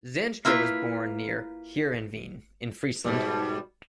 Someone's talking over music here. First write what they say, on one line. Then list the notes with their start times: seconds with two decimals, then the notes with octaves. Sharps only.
Zanstra was born near Heerenveen in Friesland.
0.45 A#3 E4 F4 B4
3.05 G#2 B2 G3